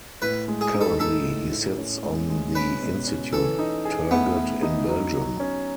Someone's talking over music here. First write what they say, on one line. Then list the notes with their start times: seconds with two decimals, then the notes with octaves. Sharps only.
Currently, he sits on the Institute Turgot in Belgium.
0.22 A2 B4
0.48 G#3
0.61 G#4
0.74 D#4
0.81 A4
1.00 D#4 A4
1.26 A2
1.51 A2
1.78 C#4
2.03 G#3
2.30 G#3
2.55 C#4 B4
2.82 B2
3.07 C#4
3.33 E3 A4
3.59 D#4
3.85 G#4
4.10 A3 B3
4.36 A3
4.63 D#4
4.88 F#3
5.14 F#3
5.40 C#4